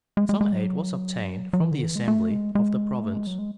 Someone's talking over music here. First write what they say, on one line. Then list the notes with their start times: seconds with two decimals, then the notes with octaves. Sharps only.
Some aid was obtained from the assembly of the province.
0.17 G#3
0.29 G#3
0.41 G#3
0.53 F#3
1.53 F#3
1.60 E3
1.72 D3
1.84 E3
1.96 G#3
2.08 A3
2.31 G#3
2.55 G#3
3.03 A3
3.15 G#3
3.27 F#3
3.39 G#3